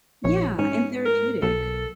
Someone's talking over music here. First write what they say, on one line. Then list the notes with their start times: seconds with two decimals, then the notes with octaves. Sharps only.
Yeah, and therapeutic.
0.24 A#1 C#5
0.59 G#2 C#4
1.05 A#4
1.42 B1 A4